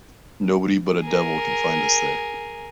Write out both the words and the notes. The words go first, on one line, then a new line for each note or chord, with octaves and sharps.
Nobody but a devil can find us there.
G#4 A#4